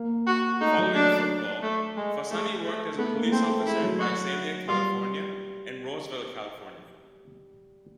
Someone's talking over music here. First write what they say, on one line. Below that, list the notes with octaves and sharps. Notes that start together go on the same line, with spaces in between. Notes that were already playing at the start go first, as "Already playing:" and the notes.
Following football, Fasani worked as a police officer in Visalia, California and Roseville, California.
Already playing: A#3
F#4
A3 D#4
F#3
D4
A3
G#3
G#3 A3
A3
A3 B3
A#3
A3 C4
A3
G#3 E4
F#3
F#4
G3 F4